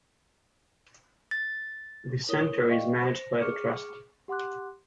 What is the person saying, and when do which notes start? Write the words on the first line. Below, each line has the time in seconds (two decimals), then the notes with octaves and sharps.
The Centre is managed by the Trust.
1.31 A6
2.29 E4 A#4 C#5 D#6 G7
2.69 D5 D#5 F5 G5 C#6
3.02 C5 A#6
3.41 G#4 C#6 D6 F6 C#7
4.28 G4 F#5 C6 D6 F#6